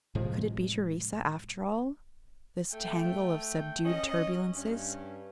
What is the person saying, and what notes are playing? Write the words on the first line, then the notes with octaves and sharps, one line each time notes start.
Could it be Theresa, after all, this tangle of subdued turbulences?
A2 C3 F3 G#3
A3 G5
C#4 D#5
G2 C#4